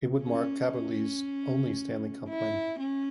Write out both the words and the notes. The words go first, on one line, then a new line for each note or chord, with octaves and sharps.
It would mark Kaberle's only Stanley Cup win.
C#4
C#4
E4
C#4